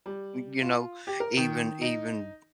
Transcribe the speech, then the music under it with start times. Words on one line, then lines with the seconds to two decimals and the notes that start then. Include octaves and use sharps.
y you know, even even
0.06 G3
0.61 F4
1.07 G4
1.20 A#4
1.37 D#3
1.81 D#4